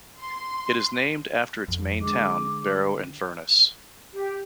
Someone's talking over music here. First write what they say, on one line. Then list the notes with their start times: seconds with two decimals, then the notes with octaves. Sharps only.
It is named after its main town, Barrow-in-Furness.
0.19 C6
1.68 F2
2.02 D3 G#3 D6
4.13 G4